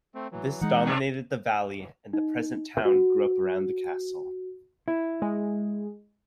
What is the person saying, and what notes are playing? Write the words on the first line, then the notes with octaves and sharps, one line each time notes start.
This dominated the valley and the present town grew up around the castle.
A3 C4
E3 F#3
E3 G#3 D#4 F#5
G2 B2 D4
D#4
F#4
E4
G#3